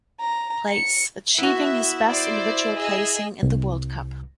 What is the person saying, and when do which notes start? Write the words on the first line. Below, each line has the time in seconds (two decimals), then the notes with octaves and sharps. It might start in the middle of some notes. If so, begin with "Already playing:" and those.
Place, achieving his best individual placing in the World cup.
0.21 A#5
0.70 C#7
1.38 B3 E4 F#4 E5
2.08 C5 D5
2.77 G#4 D#5 E6
3.43 C2